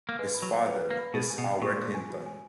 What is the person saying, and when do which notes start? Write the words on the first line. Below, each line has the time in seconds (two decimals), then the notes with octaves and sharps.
His father is Howard Hinton.
0.09 A#3
0.19 G#3 B4
0.35 B5
0.42 F#3
0.51 F#5
0.67 B4
0.83 B4
0.90 A#3
0.99 B5
1.14 B2 A#4
1.30 G#5
1.38 B2
1.47 D#5
1.62 A#2 C#6
1.78 A#4
1.94 G#5
2.10 F#4
2.26 G#5